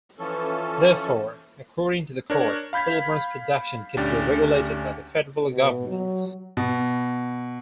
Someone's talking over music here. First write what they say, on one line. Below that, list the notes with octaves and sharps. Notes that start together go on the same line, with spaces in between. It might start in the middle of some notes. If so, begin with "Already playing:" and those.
Therefore, according to the court, Filburn's production could be regulated by the federal government.
E3 F3 C#4 A4
D4 A#4 C#5
F5 B5 G6 G#6 B6
D2 C#4 D4 G4 A6
B2
F#3
B2